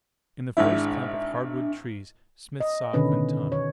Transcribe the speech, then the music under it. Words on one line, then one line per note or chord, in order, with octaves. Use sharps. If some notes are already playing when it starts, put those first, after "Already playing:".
In the first clump of hard-wood trees Smith saw Quintana.
G#1 G#2 D4 E4 E5
D#5
B2 D3 D#3 C#4 B4
C#5